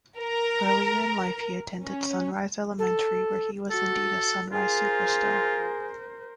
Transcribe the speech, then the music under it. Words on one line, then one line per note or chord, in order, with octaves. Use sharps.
Earlier in life he attended Sunrise Elementary where he was indeed a Sunrise Superstar.
A#4
C#4
A4
F#4 A4
F4 G#4 A#4 C5